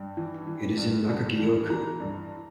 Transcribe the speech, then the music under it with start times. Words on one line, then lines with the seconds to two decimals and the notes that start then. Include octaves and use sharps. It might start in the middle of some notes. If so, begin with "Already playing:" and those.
It is in Nakagyo-ku.
Already playing: G2 G5
0.17 E3
0.47 E3
0.77 G2
1.08 G2
1.39 E3
1.70 E3 A#5
2.00 G2